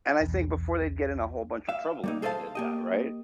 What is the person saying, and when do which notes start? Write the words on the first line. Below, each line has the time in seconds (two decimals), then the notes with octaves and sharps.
And I think before they'd get in a whole bunch of trouble if they did that, right,
0.20 B1 E2
1.69 E5 F5
2.04 G3 A#3 D#4
2.22 G#4 A4 C5 D#5 F5 A5
2.55 A#3 G4 D#5